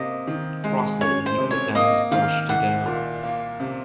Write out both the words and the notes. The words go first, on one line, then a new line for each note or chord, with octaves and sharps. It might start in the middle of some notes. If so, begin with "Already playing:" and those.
Crossly he put down his brush to go.
Already playing: C3 A#3 D#5
D#3
G#3
C#4 C#5
C5
C3
C#5
A#3 D#5
D#3 F5
C2 F#5
A#2
A#3
C3